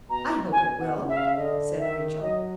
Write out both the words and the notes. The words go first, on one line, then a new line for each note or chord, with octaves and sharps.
"I hope it will," said Rachel.
B2 A#5
B2 G#5
F#5
C#3
E5
F5
E5
D3 D#5
D#3 E5
F#3 D#5